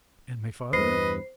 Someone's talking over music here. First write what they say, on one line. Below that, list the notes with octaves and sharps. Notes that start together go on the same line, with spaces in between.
"And my father?"
E2 G2 B4 C5 D#5 C7